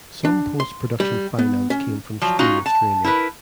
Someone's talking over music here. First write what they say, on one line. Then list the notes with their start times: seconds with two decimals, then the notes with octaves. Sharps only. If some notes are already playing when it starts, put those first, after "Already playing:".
Some post production finance came from Screen Australia.
0.25 D4
0.60 C6
1.00 G3
1.39 B3
1.70 C#4
2.21 F3 F#3
2.39 C#4 D#4 F4 F#4
2.66 A5
3.04 E4 A#4 B4